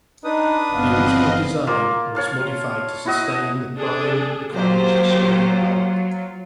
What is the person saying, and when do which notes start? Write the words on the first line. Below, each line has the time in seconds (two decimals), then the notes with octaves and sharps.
The original design was modified to sustain the prime requirements of speed and firepower.
0.24 D4 D#4 B4 D#6
0.73 G1 B3 C4 D#5 F5
1.67 A#3 F4
2.15 C#5 F5 A5
3.05 E4 F#4 D#5
3.78 D4 G#4 A4
4.53 F#3 A#3 F4 G4 C5